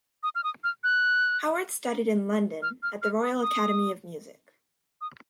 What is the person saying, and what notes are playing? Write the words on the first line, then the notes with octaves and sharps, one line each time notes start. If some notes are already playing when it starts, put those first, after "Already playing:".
Howard studied in London, at the Royal Academy of Music.
D#6
F6
D#6
F6
F#6
F6
F6
F6
D#6
D#6
D#6